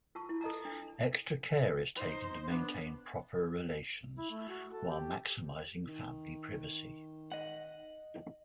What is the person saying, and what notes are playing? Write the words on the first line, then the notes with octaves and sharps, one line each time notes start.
Extra care is taken to maintain proper relations while maximizing family privacy.
F4 A5 C#6
E4
A4 D#5 A5 A#5
D4
D#4 C5
B3 D4
E4
A3
F#4
A4
G4
D#3
D#5 F#5